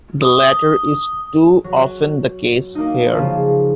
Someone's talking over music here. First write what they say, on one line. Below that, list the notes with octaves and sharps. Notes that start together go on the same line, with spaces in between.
The latter is too often the case here.
D#6 G7
F#3
A#3 D#4
C#3 F3